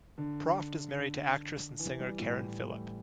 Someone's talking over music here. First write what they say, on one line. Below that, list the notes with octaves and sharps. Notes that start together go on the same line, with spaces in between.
Proft is married to actress and singer Karen Philipp.
D3
D3
E3
G3
A2
A2
A2